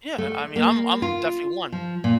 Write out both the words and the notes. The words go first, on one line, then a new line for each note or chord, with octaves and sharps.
yeah, I mean, I'm I'm definitely one.
A3
A#3
F4
F3
A#2